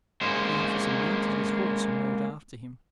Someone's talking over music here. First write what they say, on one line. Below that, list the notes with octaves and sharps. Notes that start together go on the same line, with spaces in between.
The officer mounted his horse and rode after him.
G#3 A#3 C#4 C5